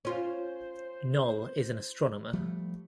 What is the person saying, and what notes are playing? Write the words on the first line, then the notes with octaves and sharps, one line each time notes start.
Noll is an astronomer.
C#4 F4 C5
F3 G3 A3